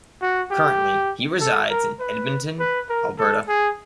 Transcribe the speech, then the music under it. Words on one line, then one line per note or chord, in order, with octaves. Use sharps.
Currently he resides in Edmonton, Alberta.
F#4
G4
A4
A#4
B4
B4
A#4
A4
G#4